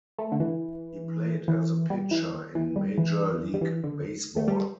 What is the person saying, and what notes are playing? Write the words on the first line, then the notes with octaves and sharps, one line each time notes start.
He played as a pitcher in Major League Baseball.
A3
D3
E3
E3
G3
E3
E3
G3
E3
G3
E3
D3
A3
G3